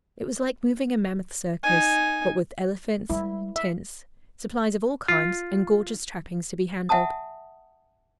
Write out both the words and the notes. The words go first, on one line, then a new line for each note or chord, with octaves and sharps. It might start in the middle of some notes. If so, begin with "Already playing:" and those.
It was like moving a mammoth circus, what with elephants, tents, supplies of all kinds, and gorgeous trappings to be handled.
D#4 G#5
G3 G#3 E4
E5
F4
E5 F#5 G#5 A5 D#6